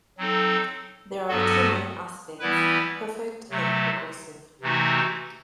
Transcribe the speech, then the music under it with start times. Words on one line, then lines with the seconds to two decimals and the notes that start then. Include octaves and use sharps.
There are two main aspects: perfect and progressive.
0.18 F#3 C4 D#4 A4
1.29 G2 F#3 B3 F#4 A4
2.39 E3 G3 B3 E4 B4
3.50 C3 F#3 A3
4.61 C3 E3 A3 D#4 F#4